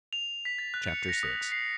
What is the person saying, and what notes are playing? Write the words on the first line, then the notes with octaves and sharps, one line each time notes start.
Chapter VI.
F7
B6
A6
F#6
C#7
A#6
D#6
C7